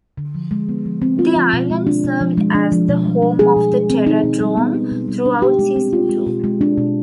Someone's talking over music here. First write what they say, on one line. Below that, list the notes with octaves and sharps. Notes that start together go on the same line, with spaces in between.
The island served as the home of the Terror Drome throughout season two.
D3
F3
G#3
B3
F3
C4
F4
F3
B2
G#3
D4
B2
F3
G#3
D4
F3
B2
G3
D4
G#4
B2
G#3
C4
D#4
B2
G3
B3
D#4
B2
G3
D4
G4
G#3
C4
F4
G#3
B2
G#3
D4
B2